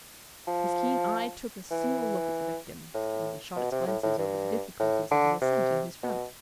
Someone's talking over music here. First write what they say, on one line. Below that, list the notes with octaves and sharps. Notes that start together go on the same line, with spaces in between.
His keen eye took a single look at the victims, and then shot its glances over the difficulties of the ascent in his front.
F3
E3
A2
B2
C3
A2
A2
G2
A2
D3
C3
B2